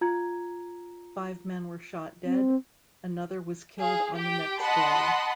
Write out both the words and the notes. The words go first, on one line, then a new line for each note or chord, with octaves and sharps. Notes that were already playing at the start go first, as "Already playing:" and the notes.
Five men were shot dead; another was killed on the next day.
F4 A#5 G#6
C4
G#4 F5
G4 G5
D#5 F#5 A5 B5 C6